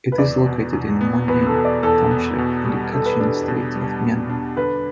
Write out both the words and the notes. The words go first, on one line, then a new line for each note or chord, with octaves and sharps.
It is located in Mohnyin Township in the Kachin State of Myanmar.
B4
E2 D5
B2
E2
B3
E2 B4
A4
B2
D5
E2 A4
B3
B2
G3
B2 A4
B4
D4 A4
B2
G3
B2
D4
D3 B4